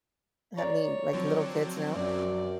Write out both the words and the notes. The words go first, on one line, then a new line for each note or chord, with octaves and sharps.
have any, like, little kids now,
C#5 D5 A#5
D3 F3 F#3 C4
F#2 D5